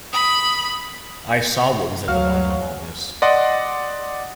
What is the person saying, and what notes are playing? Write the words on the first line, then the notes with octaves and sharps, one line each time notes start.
I saw what was at the bottom of all this.
B5 D#6
D2 F#3 F#4 F5 F6
D5 D#5 F#5 C6 D6